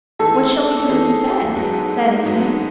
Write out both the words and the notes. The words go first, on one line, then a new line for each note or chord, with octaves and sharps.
'What shall we do instead?' said Amy.
E3 A3 D#4 G#4 A4
E3 A3 D#4 G#4
G#2 F#3 B3 D#4 G#4
G#2 F#3 B3 D#4